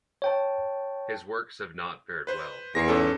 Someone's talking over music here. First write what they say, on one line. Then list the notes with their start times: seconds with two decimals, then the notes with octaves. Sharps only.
His works have not fared well.
0.22 C#5 G5 A5
2.27 B4 C5
2.75 E2 A#6 C7
2.88 G#2 C#4 A4